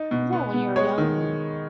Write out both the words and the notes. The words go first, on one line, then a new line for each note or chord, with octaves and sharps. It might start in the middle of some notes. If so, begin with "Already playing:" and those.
Yeah, when you were young, and
Already playing: D#4
B2
B3
B3
G#3 C#5
D#3